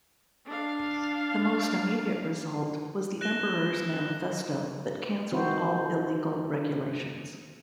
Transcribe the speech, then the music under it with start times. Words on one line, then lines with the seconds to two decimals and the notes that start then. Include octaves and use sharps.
The most immediate result was the Emperor's manifesto that cancelled all illegal regulations.
0.46 D4 F5
3.21 F#6 A#6 E7 G7
5.32 D#3 C4 F#4 C5